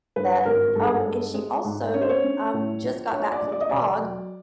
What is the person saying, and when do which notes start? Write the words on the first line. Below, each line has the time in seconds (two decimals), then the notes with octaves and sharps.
that. Um, and she also, um, just got back from Prague,
0.16 G2 B4
0.45 G#1 A#4
0.75 G2 A4
0.84 G#4
0.93 A4
1.05 G#3
1.34 G#3
1.64 G#2
1.94 C#4 C#5
2.01 C5
2.09 C#5
2.24 C#4
2.53 A2
2.83 A#1
3.12 A#1 C#5
3.32 D5
3.42 A#1
3.52 D5
3.61 D#5
3.69 E1 D5
4.01 F#3